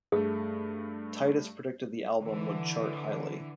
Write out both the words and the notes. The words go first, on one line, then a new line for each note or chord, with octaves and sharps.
Titus predicted the album would chart highly.
G2 A3 G#4
D3 E3